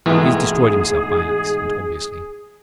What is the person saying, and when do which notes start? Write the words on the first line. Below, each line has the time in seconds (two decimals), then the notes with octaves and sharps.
He has destroyed himself by an accident, obviously.
0.06 B1 F2 G#2 E3 G#3 A3 G#4 G5